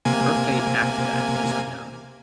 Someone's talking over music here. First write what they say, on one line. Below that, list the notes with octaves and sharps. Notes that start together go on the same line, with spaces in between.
Her fate after that is unknown.
C3 A#3 G#5